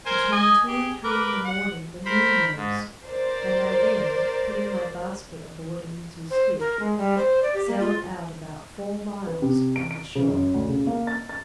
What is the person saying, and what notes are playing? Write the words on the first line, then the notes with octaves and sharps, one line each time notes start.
Between two and three in the morning the moon rose; and I then, putting my basket aboard a little skiff, sailed out about four miles from the shore.
A#4 C5 G#5
D#5 G#5
G4 G#4
A#4 B4 D6
F#5
A#4 C5 B5
G#2
A#4 C5 D5
C5
A#4
G#3
G3
C5
D5
G4
A#3
F4
B4
C3
D7
D7
C#3
F#2
D2
C#3
A#3
A6
A6